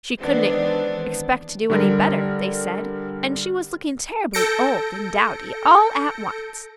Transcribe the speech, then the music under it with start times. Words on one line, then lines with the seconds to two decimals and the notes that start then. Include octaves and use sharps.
She couldn't expect to do any better, they said, and she was looking terribly old and dowdy all at once.
0.19 D#3 E3 G#3 B3 C4 D4
1.70 D3 G3 A#4
4.33 A4 G6 A#6 C#7 D7